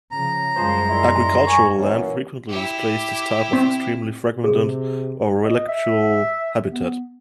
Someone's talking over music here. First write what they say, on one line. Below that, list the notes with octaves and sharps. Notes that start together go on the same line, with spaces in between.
Agricultural land frequently displays this type of extremely fragmented, or relictual, habitat.
C#3 F3 A#5
F#2 F3 G3 G#3 C5
A#2 E4 C6
G#5 C#6
F#2 E3 A#3 C#4
E4 G4
C4
C3 G#4
D#5
E5
B3